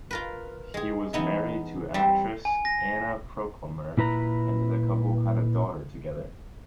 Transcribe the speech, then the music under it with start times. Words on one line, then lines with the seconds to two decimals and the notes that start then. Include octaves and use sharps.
He was married to actress Anna Proclemer and the couple had a daughter together.
0.11 F4 A#4 B4
0.74 G#3 G#4
1.13 E3 B3 D#4 E4
1.94 G3 C4 E5
2.45 G#5
2.65 A#6
3.97 A#2 E4 B4 A#5